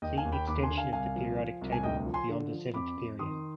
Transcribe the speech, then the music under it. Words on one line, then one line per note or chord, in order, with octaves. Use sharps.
See Extension of the periodic table beyond the seventh period.
D#2 D#5 G5
F5 G#5
D#2
G5 B5
D#2 B5 D6
G#5 C6
D3
F5 G#5
C2 F5 G#5
F3
F3
C2
G#5
D2 D#5 G5
F3
G#5 C6
D3
F3
F2 B5 D6
F2
D#3 C6 D#6